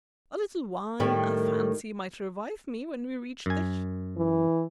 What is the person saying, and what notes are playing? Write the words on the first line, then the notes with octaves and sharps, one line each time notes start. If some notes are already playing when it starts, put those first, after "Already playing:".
A little wine, I fancy, might revive me when we reach the ship.
A2 D#3 G3
F#2 G#5
E3